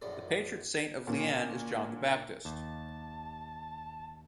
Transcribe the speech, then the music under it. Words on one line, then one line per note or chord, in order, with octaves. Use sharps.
The patron saint of Lian is John the Baptist.
A#1 F#2 A2 D5
A#2 D3 C#4
D#2 A5